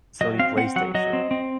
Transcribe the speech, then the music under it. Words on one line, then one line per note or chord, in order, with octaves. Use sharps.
Sony PlayStation,
F#3 D#5
C4 F5
C4 F#5
F#3 F#5
F#3 D#5
C4
C4